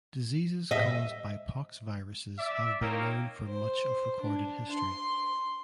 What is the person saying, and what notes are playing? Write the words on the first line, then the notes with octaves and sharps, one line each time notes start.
Diseases caused by poxviruses have been known for much of recorded history.
D#5 E5
D5 E5
A#3 C4 D#4 F4 A#4 C#5
C5
D4
C6